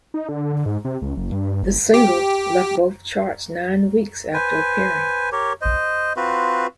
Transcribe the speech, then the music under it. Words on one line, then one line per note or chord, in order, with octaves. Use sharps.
The single left both charts nine weeks after appearing.
D#4
D3
D3
G#2
C3
C#2
F#1
G2
G1
G4
B4 C5 G#5
G4 A#4 C#5
C5 D#5
C4 F4 F#4 B4